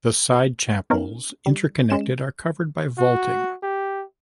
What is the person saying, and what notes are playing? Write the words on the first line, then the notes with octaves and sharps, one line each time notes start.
The side chapels, interconnected, are covered by vaulting.
B3 C#4 D#4 A#4
G3
G#3 C#4 E7
F#4
G4